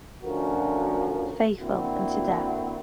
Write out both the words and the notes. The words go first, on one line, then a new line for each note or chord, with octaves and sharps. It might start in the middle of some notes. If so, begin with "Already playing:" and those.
Faithful unto death.
D2 D3 F3 C#4 F#4 A#4
D3 A#3 C4 E4 F#4